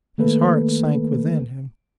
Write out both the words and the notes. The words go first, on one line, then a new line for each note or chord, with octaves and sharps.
His heart sank within him.
D#3 A3 A#3 A4 B4